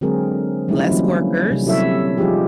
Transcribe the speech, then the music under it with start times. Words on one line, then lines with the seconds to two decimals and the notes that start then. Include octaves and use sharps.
Less workers
0.01 D3 F#3 G#3 C4 G#4 A#4
0.68 F3 G3 A3 C#4 D#4 E4
0.90 D3 E3 F#3 A#3 C#4 C5
1.51 C3 G3
1.66 C3 F#3 E4 A4 C#5 E5
2.17 F3 G3 D#4 F4 G4 G#4